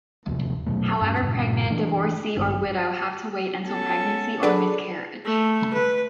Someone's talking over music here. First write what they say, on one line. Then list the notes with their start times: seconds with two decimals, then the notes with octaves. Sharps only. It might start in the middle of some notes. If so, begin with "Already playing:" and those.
However pregnant divorcee or widow have to wait until pregnancy or miscarriage.
0.28 D#1 D#2 C3 F3
0.66 B2 F#3 A3
1.01 G2 C#4
1.23 G2 A#2 C#3 C#4
1.70 E3 D4
2.37 G#1 G2 D4
3.61 B3 C#4 A4
4.43 D4 G#4 A4 B4 D5
5.25 A3
5.73 B4